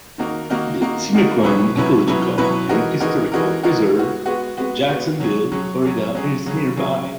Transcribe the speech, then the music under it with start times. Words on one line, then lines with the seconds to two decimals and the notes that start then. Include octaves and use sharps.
The Timucuan Ecological and Historic Preserve, in Jacksonville, Florida is nearby.
0.18 D#3 A#3 D#4 F#4 A#4
0.50 D#3 A#3 D#4 F#4 A#4
0.81 D#3 A#3 D#4 F#4 A#4
1.13 D#3 A#3 D#4 F#4 A#4
1.44 B2 F#3 C#4 E4 B4
1.75 B2 F#3 C#4 E4 B4
2.07 B2 F#3 C#4 E4 B4
2.38 B2 F#3 C#4 E4 B4
2.69 E3 G#3 D#4 F#4 A#4
3.00 E3 G#3 D#4 F#4 A#4
3.32 E3 G#3 D#4 F#4 A#4
3.63 E3 G#3 D#4 F#4 A#4
3.94 G#3 B3 F#4
4.26 G#3 B3 F#4
4.58 G#3 B3 F#4
4.88 G#3 B3 F#4
5.20 F#3 C#4 G#4
5.52 F#3 C#4 G#4
5.82 F#3 C#4 G#4
6.15 F#3 C#4 G#4
6.46 C#3 F#3 C#4 G#4
6.76 C#3 F#3 C#4 G#4